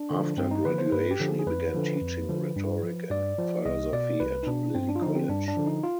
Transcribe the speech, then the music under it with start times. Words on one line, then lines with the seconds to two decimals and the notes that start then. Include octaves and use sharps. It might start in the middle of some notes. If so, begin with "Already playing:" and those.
After graduation he began teaching rhetoric and philosophy at Lily College.
Already playing: D4
0.11 D3 F3
0.37 G2 C4
0.51 D#4
0.65 D3 F3 B4
0.78 C5
0.92 G2 B4
1.11 G4
1.20 D3 F3
1.28 G#4
1.39 G#4
1.46 F2 B4
1.74 D3 F3
2.02 F2
2.29 D3 F3
2.56 G2
2.83 F3
3.10 G2 D5
3.38 F3
3.65 C2 D#5
3.93 B2 D5
4.20 C2 B4
4.43 D#4
4.47 B2 D4
4.75 G2 C4
4.89 D4
4.96 F4
5.02 D3 F3 D#4
5.15 C4
5.29 G2 D4
5.48 D4
5.57 D3 F3
5.66 D#4
5.83 F4